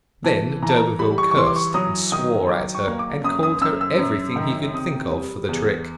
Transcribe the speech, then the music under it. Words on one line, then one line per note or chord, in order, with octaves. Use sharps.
Then d'Urberville cursed and swore at her, and called her everything he could think of for the trick.
E3 A5
E3 A#5
A5
A#5
G3 B5
C#6
C#6
E3 C6
D6
C#6
F#3 D#6
D#3 D#6
F#3 D6
C#6
A#3
D6
F#2 D#6
D#6
F#2 E6
E6
F#2
D#3
C3 D#6
G3
E2